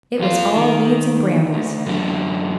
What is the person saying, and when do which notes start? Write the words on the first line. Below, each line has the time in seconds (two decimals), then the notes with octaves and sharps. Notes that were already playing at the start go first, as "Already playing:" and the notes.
It was all weeds and brambles.
0.19 F2 F4
0.56 D#3
1.54 D2
1.86 F#2 D3